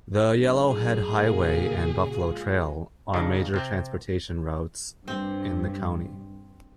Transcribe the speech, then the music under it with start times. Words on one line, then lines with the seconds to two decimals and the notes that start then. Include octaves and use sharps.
The Yellowhead Highway and Buffalo Trail are major transportation routes in the County.
0.30 A2 F#3 D4 D#4
0.68 G#4
1.13 A#2 C#3 A#3 F#4
2.15 G#3 F4
3.14 F2 C#3 D4 D#4
3.54 C3 C4
5.08 G2 C4